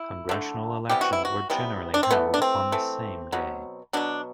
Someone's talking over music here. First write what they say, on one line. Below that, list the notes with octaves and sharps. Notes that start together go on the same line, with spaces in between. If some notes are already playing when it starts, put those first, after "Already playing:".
Congressional elections were generally held on the same day.
Already playing: E4
D3 A3
C3 E3 G3 B3 G4
F#4
E4
F#4
C3 E3 G3 B3
D4
C4
E3 A3 B3
D4
C4
E3 A3
B2 F#3 B3
B2 F#3 B3 D4